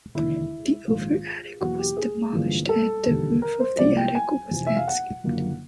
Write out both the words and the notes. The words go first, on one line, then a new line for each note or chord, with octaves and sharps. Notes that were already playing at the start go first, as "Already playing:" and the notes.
The over attic was demolished and the roof of the attic was landscaped.
E1 D#2 D3 E4
A#1 G#2 D#3 F4
E2 B2 F#3 A#3 F#4
G4
G#4
A1 G2 D3 F3 A#3
A4
E1 D#2 D3 G3
A#4
C5
C2 C3 F3 G#3 B3 D5
G5
G#5
F1 F2 C3 E3
E5
F5
F#5
F#1 F#2 D3 F3 A#3